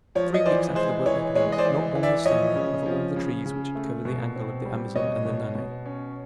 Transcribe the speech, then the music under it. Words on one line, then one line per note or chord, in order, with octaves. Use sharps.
Three weeks after the work was begun not one was standing of all the trees which had covered the angle of the Amazon and the Nanay.
F3 C#5
D#5
E3 C5 D5
G#3 C5
E3 C#5
G#3 C#5
D#5
C5 D5
E3
E3
D5 E5
F3 C#5 D#5
C#3
F3
C#3
C#3
A3
B2
C4
G3
B2 C#5 D#5
B2
B2
C#4